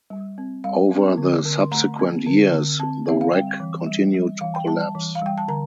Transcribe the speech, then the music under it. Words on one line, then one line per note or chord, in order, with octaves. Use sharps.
Over the subsequent years, the wreck continued to collapse.
G3
C4
G3 F5
C4
D3
D3
C6
A3 A#5
C4
D3
D3
C4 A5
C4 E5
F5
G3 G5
E3
G3
G3
E3 F5
G5
G3 A5
A5
E3
F5
G3 G5
A5
D3 A#5